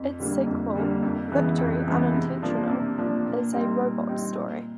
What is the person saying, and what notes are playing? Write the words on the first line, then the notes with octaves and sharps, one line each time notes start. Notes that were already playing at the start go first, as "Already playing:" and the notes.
Its sequel, "Victory Unintentional", is a robot story.
Already playing: F2
D3 G3 A#3
F2
D3 G3 A#3
F2
C#3 E3 G#3 B3
F2
C#3 E3 G#3 B3
C3
F3 A#3 D4
C3
F3 A#3 D4
A#2
G3 C4 D#4
A#2
G3 C4 D#4
A#2